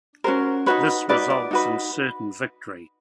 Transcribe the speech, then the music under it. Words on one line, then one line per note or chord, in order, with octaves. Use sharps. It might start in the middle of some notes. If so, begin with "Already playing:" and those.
This results in certain victory.
C#4 F#4 A#4 C5
D#4 F#4 B4 C#5
D#4 F#4 B4 D5
D5
D#4 F#4 B4